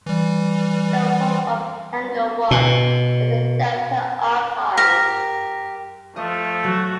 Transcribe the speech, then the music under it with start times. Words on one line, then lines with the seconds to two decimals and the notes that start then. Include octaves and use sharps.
The "hub" of Hangar One is the Delta Archives.
0.06 E3 G3
2.51 B2
4.77 G4 A#4
6.16 F3 A3 D#5
6.64 F#3 F#4 E6